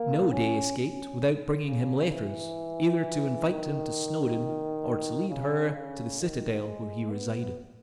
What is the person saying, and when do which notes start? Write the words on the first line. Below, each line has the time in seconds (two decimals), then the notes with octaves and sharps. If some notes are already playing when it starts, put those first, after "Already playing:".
No day escaped without bringing him letters, either to invite him to Snawdoun or to lead her to the citadel, where he resided.
Already playing: A#3
0.32 C#4
0.77 C#4
1.67 C#3
2.12 E3
3.48 D#3
5.29 C#3
5.75 C#3
6.20 D#3
6.65 G#3
7.11 B3